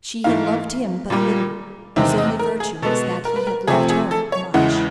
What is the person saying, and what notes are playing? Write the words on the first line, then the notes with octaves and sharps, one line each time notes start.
She had loved him but little, whose only virtue was that he had loved her much.
G#2 E3 A3 F5
A#2 G3 A#3
E2 C3 D#3 G#3 C4 E5
D#5
A#4
G#4
B2 G#3 B3 A4
A#4
B4
A#4
C3 F3 A3 C4 G#4
G#4
A4
C#5
E2 C#3 E3 G#3 F#5